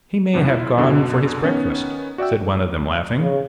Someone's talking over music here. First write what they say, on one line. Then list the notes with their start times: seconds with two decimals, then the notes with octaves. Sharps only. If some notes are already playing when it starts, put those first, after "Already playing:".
"He may have gone for his breakfast," said one of them, laughing.
0.33 E2 G2 C3 B3 D4
0.46 E4 F4
0.77 F#2 B2 D3
1.44 D#3 B3 C#4
2.18 F#4 D5 E5 G5 E6
3.19 C#3